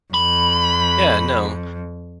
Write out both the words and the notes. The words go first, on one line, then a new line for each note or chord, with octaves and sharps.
Yeah. No.
F2 B5